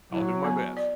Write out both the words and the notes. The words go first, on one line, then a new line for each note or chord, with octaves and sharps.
I'll do my best.
F#3 E4
B3
D5